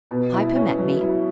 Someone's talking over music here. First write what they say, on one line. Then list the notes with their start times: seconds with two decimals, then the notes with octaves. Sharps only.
Piper met me.
0.11 B2
0.34 E4
0.56 C#4
0.78 F#3
1.01 E4